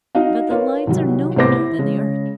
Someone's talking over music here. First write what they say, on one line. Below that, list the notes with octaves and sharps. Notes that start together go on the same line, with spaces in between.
But the lights are nobler than the earth.
D#4 F#4 D#5 F5
F4 A#4 B4 C#5
C2 D#3 F#3
C2 A2 B3 C5 D6 A#6
E4
C#3 G#3